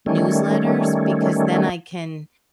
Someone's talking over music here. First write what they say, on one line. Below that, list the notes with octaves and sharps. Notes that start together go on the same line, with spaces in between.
newsletters because then I can
D#3 G3 A3 C#4